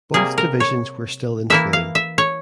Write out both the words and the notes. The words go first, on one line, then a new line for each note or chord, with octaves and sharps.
Both divisions were still in training.
C3 G3 A#3 G#4
A#4
C#5
E3 A#3 E4 E5
F5
E5
C#5